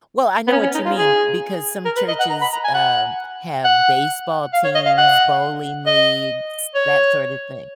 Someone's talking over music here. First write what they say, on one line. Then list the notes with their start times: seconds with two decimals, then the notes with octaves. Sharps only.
Well, I know what you mean because some churches, um, have baseball teams, bowling leagues, that sorta thing.
0.47 B3
0.52 C#4
0.63 C#4
0.75 D#4
0.85 F4
0.96 G#4
1.85 A#4
1.96 B4
2.08 D#5
2.20 F#5
2.30 A#5
2.41 B5
2.53 A#5
2.64 G#5
2.74 F#5
3.64 F#5
4.53 F5
4.64 C#5
4.75 D#5
4.86 F5
4.98 F#5
5.86 D#5
6.75 C#5